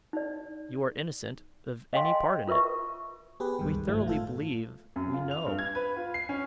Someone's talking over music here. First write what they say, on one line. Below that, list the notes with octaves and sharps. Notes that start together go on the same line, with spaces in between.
'You are innocent of any part in it, we thoroughly believe,--we know.'
D#4 D5
D#5 F5 G5 G#5 C6
F4 A#4 B4 E5 C#6
B3 G4 G#4 B4
C#2 G2 D#3
G1 G#2 F3 A3
A2 F4 A4
F#2
F4
F7
G2
G#6
B4
F4
C7
C#4